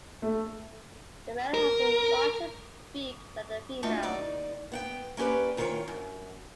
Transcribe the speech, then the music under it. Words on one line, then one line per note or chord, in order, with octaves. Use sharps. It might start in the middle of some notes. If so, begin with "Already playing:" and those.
The male has a larger beak than the female.
A3
A#4
A3 D4 D#4 F4 F#4
D#2 D#4 D5
B3 F#5 G5
A#3 C#4 G4 B4 D5
D2 D#3 F4 A4 C#5 G5
F#2